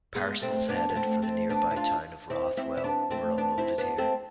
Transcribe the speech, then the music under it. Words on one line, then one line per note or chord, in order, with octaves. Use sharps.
Parcels headed for the nearby town of Rothwell were unloaded here.
G#3 B3
A3 C4
B3 D4
B3
A3 C4
A3 C4
B3 D4
E4
D4 F4
C4 E4
C4 E4
E4
B3 D4
A3 C4
B3 D4
C4 E4
B3 D4
A3 C4